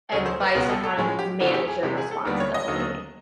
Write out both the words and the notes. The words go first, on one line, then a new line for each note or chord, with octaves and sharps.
advice on how to manage your responsibilities?
D2 C#3 F#3 A3 C#5
C5
B4
C#2 B2 G#3 B3 A#4
A4
A4
A2 F3 G#3 C#4 G#4
G4
E2 C#3 E3 A3 D4 F#4
G4
G#4
C3 E3 G#3 G4
G#4
A4
D#2 D3 G3 B3 A#4
C#5
D#5
D#2 D3 F#3